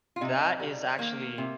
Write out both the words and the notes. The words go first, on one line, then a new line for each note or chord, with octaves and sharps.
that is actually
F4
C3 D#4
G3
D#3 A#3
C3